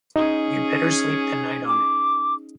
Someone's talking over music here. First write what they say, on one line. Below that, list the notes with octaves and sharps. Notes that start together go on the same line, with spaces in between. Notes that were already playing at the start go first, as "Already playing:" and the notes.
You'd better sleep the night on it.
C#4 D#4 G#4
D6